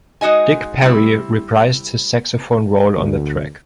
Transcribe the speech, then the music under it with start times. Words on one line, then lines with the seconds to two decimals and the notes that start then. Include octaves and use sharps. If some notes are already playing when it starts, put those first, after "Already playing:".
Dick Parry reprised his saxophone role on the track.
0.21 G#3 D#4 F#4 D#5 G#5
0.82 G3 C4 E4
2.96 D2